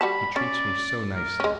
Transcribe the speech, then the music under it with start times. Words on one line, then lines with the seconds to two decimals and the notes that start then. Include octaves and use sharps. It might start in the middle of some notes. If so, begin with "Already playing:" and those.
He treats me so nicely.
0.01 G3 F#4 A5 B5
0.36 C#4 D5
1.15 A#4
1.40 G#3 C#4